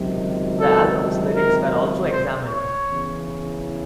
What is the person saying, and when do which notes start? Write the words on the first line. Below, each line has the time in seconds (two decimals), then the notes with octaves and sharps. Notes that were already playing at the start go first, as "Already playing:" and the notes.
The album's lyrics were also examined.
Already playing: C#2 C3 D#3 F#3
0.60 A4
1.35 A#4
2.11 C5
2.48 C#5
2.87 E2 C#3 E3